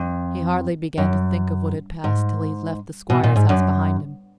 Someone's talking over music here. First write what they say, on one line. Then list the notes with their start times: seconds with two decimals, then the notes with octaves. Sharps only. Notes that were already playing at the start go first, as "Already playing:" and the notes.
He hardly began to think of what had passed till he had left the squire's house behind him.
Already playing: F2
0.98 F#2
2.04 G#2
3.10 B2
3.24 A#2
3.36 G#2
3.49 F#2